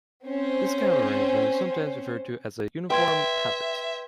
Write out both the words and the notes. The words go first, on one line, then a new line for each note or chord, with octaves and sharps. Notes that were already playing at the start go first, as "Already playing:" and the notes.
This kind of arrangement is sometimes referred as a "uniform palette".
C4 C#4 C5
B4 E5 G5 C6 G#6